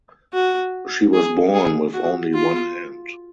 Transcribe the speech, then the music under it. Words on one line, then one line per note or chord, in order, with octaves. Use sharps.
She was born with only one hand.
F#4
G#4
G#4
F#4
F4